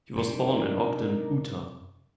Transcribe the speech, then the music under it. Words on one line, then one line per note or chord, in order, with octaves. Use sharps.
He was born in Ogden, Utah.
F#2 C3 D4 D#4 A#4